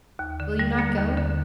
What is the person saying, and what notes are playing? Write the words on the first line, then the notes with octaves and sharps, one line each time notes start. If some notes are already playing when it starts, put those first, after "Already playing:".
'Will you not go?
D#2
D3
G3
A#3
D#2
D3